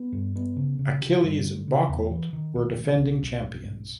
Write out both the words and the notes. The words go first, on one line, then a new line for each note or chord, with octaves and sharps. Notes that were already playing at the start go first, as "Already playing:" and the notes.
Achilles Bocholt were defending champions.
Already playing: B3
G2
B3
C#3
C#3
D3
G2
D3
C#3
E2
E3
D#3
A#1
D#3
B1
B1
B1
G#2